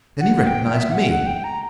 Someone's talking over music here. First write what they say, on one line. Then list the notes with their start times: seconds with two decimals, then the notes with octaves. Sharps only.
Then he recognised me.
0.21 F#5
0.47 G5
0.73 E5
0.91 F#5
1.09 F#5
1.27 G5
1.44 A#5